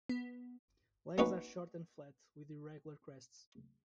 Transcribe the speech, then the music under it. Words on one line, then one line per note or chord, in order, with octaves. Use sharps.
Legs are short and flat with irregular crests.
B3
A#3 C#4 D#4 F#4 B4